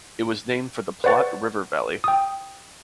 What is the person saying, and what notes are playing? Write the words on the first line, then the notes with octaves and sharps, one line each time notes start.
It was named for the Platte River valley.
B4 C5 D5 F#5 C#6 A6
G5 D#6